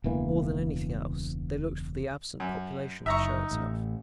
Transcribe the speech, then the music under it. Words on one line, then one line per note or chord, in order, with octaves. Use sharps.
More than anything else, they looked for the absent population to show itself.
E1 C#2 E3 A#3
F#2
F#1 D#4 E5 A#5 C#6
A1